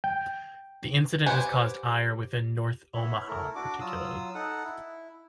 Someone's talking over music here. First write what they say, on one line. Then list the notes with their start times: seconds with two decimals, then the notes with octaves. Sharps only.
The incident has caused ire within North Omaha particularly.
0.04 G5
1.26 G4 B4 C5 F#5 G#5
2.94 B3 E4 C#5 E5
3.28 A3 E4 A4 A#4
3.55 D4 F#4 D6
3.81 F#3 F4 D#6 E6
4.35 D#4 A4 F#5
4.64 E4